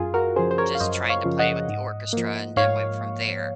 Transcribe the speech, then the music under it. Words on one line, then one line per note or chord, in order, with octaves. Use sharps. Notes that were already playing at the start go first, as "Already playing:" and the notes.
Just trying to play with the orchestra and then went from there,
Already playing: F#2 F4 G#4
F#4 A#4
C#3 F3 G#4 C5
C5
A#4 C#5
F5
F#2 C5 D#5
C#5 F5
C#3 F3
D#5 F#5
G#2
F3 A#3
G#2 C#5 F5